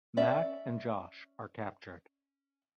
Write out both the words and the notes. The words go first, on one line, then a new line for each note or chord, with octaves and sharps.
Mac and Josh are captured.
C#4 D5 E5